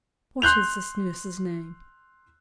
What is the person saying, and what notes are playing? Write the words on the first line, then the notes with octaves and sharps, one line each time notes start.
"What is this nurse's name?"
C6 F#6 G6 F7